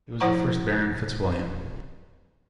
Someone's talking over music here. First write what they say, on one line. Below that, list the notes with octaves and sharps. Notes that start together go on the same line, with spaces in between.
He was the first Baron FitzWilliam.
F3 E4 C5 F#5 A#5 C#6